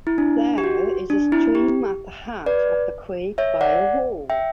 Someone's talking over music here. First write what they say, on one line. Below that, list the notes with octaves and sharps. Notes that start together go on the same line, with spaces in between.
There is a stream at the head of the creek by a wall.
E4
D4
G4
F#4
D4
E4
G4
B4 D5
C#5 E5
D5 F#5
E5 G5